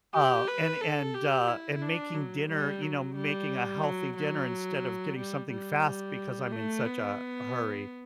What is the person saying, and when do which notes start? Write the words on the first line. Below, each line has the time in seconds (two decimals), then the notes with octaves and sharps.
uh, and and, uh, and making dinner, you know, making a healthy dinner instead of getting something fast because I'm in such a hurry.
0.14 G4
0.47 B4
0.81 A4
1.14 G4
1.48 E4
1.82 D4
2.14 F#3
2.49 G3
2.82 F#3
3.15 G3
3.83 F#3
4.17 F#3
5.18 G3
5.50 G3
6.51 A3
6.85 B3